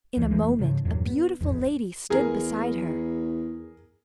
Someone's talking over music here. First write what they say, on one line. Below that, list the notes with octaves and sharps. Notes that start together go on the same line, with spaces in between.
In a moment a beautiful lady stood beside her.
C#2 E3 F3 G#3
F1 E3 A3 A#3
G#2 C#3 F3
E2 G2 A#2 F#3
B3
E1 A1 F2 G#2
E2 G#4 A#4